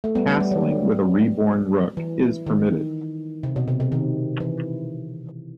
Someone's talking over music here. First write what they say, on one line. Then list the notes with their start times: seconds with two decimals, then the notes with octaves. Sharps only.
Castling with a reborn rook is permitted.
0.04 A3
0.15 G3 B3
0.27 G3 B3
0.40 G3
0.51 F#3
1.97 E3
2.47 D#3
3.43 C3
3.56 B2
3.68 C3
3.80 C3
3.92 D#3
4.40 E3